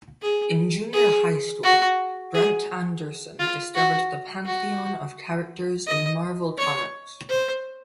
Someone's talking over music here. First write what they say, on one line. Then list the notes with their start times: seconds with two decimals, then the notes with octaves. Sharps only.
In junior high school, Brent Anderson discovered the pantheon of characters in Marvel Comics.
0.22 G#4
0.93 G#4
1.63 F#4
2.34 G#4
3.39 F4
3.75 F#4
4.46 F#4
5.87 D#5
6.57 C#5
7.29 C5